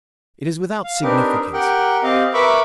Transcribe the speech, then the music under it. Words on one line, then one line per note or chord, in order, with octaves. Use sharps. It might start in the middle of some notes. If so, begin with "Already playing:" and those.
It is without significance!
F5
C4 D4 D#4 G4 A#4 B4
G4 A#4 F#5 G5
C4 G4 D#5 F5
A#4 B4 E5 B5 C#6 D6